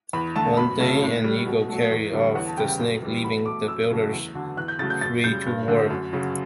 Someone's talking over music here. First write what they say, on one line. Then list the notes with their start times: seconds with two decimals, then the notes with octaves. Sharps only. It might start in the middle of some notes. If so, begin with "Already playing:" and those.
One day an eagle carried off the snake, leaving the builders free to work.
0.13 E2 B5
0.35 D3 A3 A5
0.57 F#2 B5
0.79 C#3 F#3 A3
1.02 A2
1.24 G3
1.46 B2
1.68 F#3 A3
1.91 E2
2.13 D3 G3
2.35 E2 F#5
2.46 A5
2.57 C#3 G3 G5
2.68 G5
2.80 F#2
3.02 E3 G3
3.24 B2 B5
3.46 A3 D6
3.68 F#2 E6
3.90 C#3 F#3 A3
4.13 E2
4.35 D3 F#3
4.57 E2 F#6
4.68 G6
4.79 C#3 F#3 A3 A6
4.90 G6
5.01 F#2 A6
5.24 C#3 G3 G6
5.46 G2
5.68 D3 F#3 A3
5.90 F#2
6.13 C#3 F#3